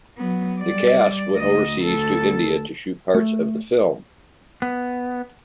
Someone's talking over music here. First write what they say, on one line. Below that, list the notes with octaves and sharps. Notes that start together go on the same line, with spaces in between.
The cast went overseas to India to shoot parts of the film.
F#3 B3
G3 D5
D2 D#5
D2 A4
A3
B3